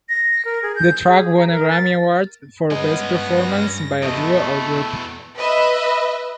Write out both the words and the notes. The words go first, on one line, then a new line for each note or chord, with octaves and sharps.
The track won a Grammy Award for 'Best Performance by a Duo or Group'.
A#6
A#4
G#4
G6
G#4
A#5
A#4
A6
G2 G#3 B3 C#4 D#5 A#6
E2 B2 A3 D#5 F5
B4 D#5 E5